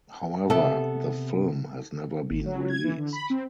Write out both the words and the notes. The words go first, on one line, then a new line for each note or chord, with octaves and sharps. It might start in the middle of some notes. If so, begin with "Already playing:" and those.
However, the film has never been released.
C3 B3 G4 A4 E5
G#1
F#3
G#6
E3
D3
B5
C4